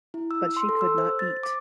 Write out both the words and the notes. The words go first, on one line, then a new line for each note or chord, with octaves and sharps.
But she could not eat.
E4
E6
C6
A4
E6
C5
A6
D6